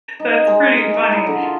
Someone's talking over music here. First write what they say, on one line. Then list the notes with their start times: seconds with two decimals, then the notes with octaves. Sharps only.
That's pretty funny.
0.20 D#4
0.47 G#3
0.78 A#4
0.94 A#5
1.12 E4
1.27 D3
1.42 F4